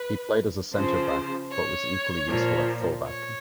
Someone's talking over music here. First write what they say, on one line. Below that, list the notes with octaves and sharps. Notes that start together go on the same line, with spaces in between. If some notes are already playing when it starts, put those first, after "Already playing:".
He played as a centre back, but was equally useful at full-back.
Already playing: B4
C#3 F3 C5
C#5
A#2 F3
C#5